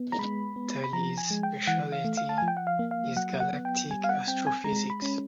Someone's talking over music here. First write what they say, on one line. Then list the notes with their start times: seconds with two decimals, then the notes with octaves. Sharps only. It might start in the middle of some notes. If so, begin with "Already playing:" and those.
Tully’s specialty is galactic astrophysics.
Already playing: B3
0.12 A#5
0.19 G#3 B5
0.56 B3
0.84 B5
0.93 F3 A#5
1.18 G#5
1.31 G#3
1.43 G5
1.67 E3 F#5
1.92 F5
2.05 A3
2.17 F5
2.29 A5
2.38 G#5
2.42 F3
2.48 G5
2.57 F#5
2.67 F5
2.79 A#3
2.91 F5
3.16 F#3 F#5
3.40 F#5
3.53 B3
3.65 G5
3.90 G3 G#5
4.04 F5
4.09 F#5
4.27 C4 G5
4.47 G#5
4.64 G#3 A#5
4.90 B5
5.02 C#4